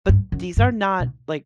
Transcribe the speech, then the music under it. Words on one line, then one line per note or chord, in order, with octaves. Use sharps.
but these are not, like"
G2
F#2
G2
B2